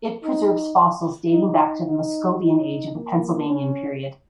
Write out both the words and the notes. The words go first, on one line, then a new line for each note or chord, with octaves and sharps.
It preserves fossils dating back to the Moscovian Age of the Pennsylvanian Period.
D#4
D#4
D#4
D#4
A#3
C#4